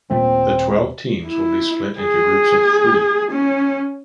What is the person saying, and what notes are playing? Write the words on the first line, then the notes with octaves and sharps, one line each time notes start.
The twelve teams will be split into groups of three.
D#1 A#2 A3 C4
E4
G#4
C#4